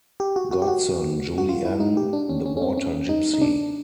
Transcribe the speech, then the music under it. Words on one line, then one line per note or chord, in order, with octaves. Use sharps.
Godson, Julie Ann, The Water Gypsy.
G4
F#4
F#4
G4
F#4
F#4
F4
E4
D#4
G4
D4
C#4
C#4
C#4
C4
C#4
D#4
D#4
D4